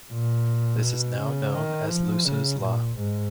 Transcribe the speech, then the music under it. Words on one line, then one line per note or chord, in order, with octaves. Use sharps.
This is now known as Lusser's Law.
A#2
B2
C#3
D#3
F3
C#3
A#2
G#2